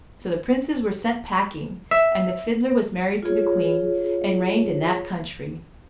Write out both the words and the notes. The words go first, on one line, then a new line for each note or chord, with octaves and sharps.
So the princes were sent packing, and the Fiddler was married to the queen, and reigned in that country.
E5
F4 G4 G#4 C#5